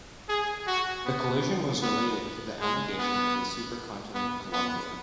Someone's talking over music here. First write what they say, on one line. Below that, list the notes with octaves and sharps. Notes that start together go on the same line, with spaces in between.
The collision was related to the amalgamation of the supercontinent Columbia.
G#4
F#4
B3
B3
G#3
B3
B3
B3